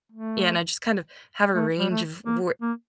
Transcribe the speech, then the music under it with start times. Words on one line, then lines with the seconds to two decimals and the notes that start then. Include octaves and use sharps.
Yeah, and I just kind of have a range of where
0.12 A3
1.54 A3
1.78 G3
1.90 A3
2.26 A#3
2.61 A#3